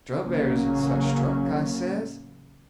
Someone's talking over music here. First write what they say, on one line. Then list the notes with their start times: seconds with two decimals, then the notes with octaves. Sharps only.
"Strawberries and such truck," I says.
0.21 A1 C#3 F#3 A#3 C#4